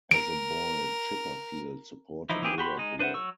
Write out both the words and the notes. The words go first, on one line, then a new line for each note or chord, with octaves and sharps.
As a boy, Chipperfield supported Liverpool.
A#4 D7
E3 F3 D#4 E4
E3 A#3 C4 G4 G#4
F#4 G4 B5 C6
G#3 D#4
D4 B4 C5 E5 F#5
F#3 C#6 E6